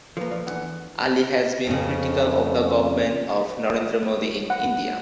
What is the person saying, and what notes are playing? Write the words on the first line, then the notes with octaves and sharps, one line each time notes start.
Ali has been critical of the government of Narendra Modi in India.
F3 A#3 A4 B4
F3 D5
E2 D4 F#5
F2 C#3
F#5